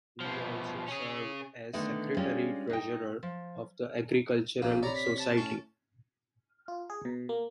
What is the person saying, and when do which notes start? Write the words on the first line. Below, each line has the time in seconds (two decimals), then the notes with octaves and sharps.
He also served as secretary-treasurer of the Agricultural Society.
0.20 B2 F3
0.88 C#4 G#4
1.73 D3 D#3 A3 B3 D4 D#4
2.17 G3 G#3 C#4 D4 F4
2.70 D#4 G5
3.23 F3
4.62 A#1 C3 A#3
4.83 C#5 D5 A#5 B5
4.95 B6
5.19 A5
5.38 A2 C#4
6.68 F4
6.90 G#4
7.05 B2
7.29 A#3